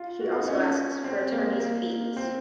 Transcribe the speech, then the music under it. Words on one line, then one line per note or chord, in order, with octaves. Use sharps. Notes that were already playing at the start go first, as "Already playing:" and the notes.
She also asks for attorney's fees.
Already playing: F4
F#4
F4
D#4
C#4
C4
A#3
A#3
C4